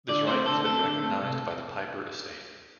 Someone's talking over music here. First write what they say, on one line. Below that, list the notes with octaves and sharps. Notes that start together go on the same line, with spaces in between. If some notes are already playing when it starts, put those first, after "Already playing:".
This right has been recognized by the Piper estate.
D3 D5
A3 C4 C5
D3 A4
A3 C4 A4
D3
A3 C4
C3